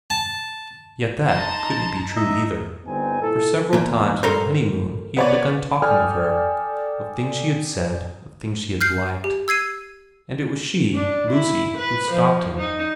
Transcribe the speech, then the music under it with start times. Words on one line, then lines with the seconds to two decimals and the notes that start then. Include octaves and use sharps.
Yet that couldn't be true either, for several times on the honeymoon he had begun talking of her, of things she had said, of things she had liked, and it was she, Lucy, who stopped him.
0.10 A5
1.28 D#4 A5 A#5 C6
2.16 D#4 D#5 E5
2.85 G1 B3 C4 D#4 G#5
3.21 A#2 E4 A4
3.73 E2 A#2
4.23 A4 A#4 C5
5.17 B3 C#5 D5
5.82 A4 D5 G5 G#5 D#6 F6
8.81 F6 G6 C7
9.24 G4
9.48 E6 G#6 C7 D#7
10.94 D4
11.31 E4
11.78 B4
12.11 F3
12.57 D#4